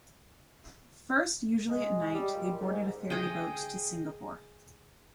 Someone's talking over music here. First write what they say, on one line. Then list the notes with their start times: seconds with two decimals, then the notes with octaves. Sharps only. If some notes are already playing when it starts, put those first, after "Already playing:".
First, usually at night, they boarded a ferry boat to Singapore.
1.69 G#3
2.12 G3
2.33 A#2
2.60 G#2
3.10 G#4 D#5 G5